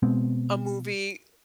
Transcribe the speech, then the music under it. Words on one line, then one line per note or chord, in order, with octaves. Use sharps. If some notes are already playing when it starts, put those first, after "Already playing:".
a movie
B2 G#3 B3 C4